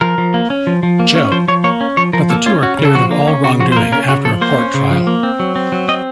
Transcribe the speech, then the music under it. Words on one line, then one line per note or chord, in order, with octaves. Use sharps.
Joe, but the two are cleared of all wrongdoing after a court trial.
F3 A#4
F3
A#3
C#4
F3
F3
A#3
C#4
F3 C5
F3 C#5
A#3 C#5
C#4
F3 C#5
F3 A#4
A#3 A4
C#4 F4
C#4 F#4
C#3
A4
F3 F#4
A#3
C#4
C#3 F#4
F3 F#4
C5
A#3 A#4
C#4 A#4
C#3 F#4
F3 A4
A#3 C5
C#4
C#3
F3
A#3
C4
F#3
C4
F#3
C4 D#5